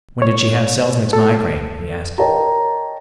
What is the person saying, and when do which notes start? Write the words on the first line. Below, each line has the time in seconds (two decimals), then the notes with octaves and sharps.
"When did she have Selznik's migraine?" he asked.
0.22 C#5
1.13 A4
2.18 A#4 C#5 D#5 G5 A5 A#5